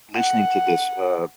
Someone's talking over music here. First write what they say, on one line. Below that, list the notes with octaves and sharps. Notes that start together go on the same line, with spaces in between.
listening to this, uh,
F#5